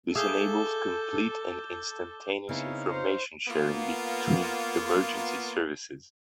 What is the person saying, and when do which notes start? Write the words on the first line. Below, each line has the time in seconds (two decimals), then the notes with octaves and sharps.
This enables complete and instantaneous information sharing between emergency services.
0.15 G#4 A4 E5 F5 D6 G6 G7
2.49 C#3 B3 C4 D#4 E4 C#5 F5
2.91 C5
3.48 A#3 B3 F4